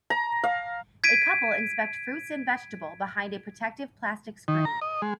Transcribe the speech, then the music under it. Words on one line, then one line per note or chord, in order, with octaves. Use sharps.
A couple inspect fruits and vegetable behind a protective plastic screen.
A#5
F5
G#6 B6 D7 D#7
D#3
A#5
D#5
G#3